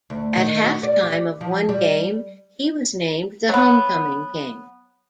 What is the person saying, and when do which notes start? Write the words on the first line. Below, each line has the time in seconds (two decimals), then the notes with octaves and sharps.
At halftime of one game, he was named the Homecoming King.
0.10 D2
0.37 D#3
0.63 F#4
0.83 D5
1.03 G4
1.41 F3
1.69 G3
3.49 F#3 B3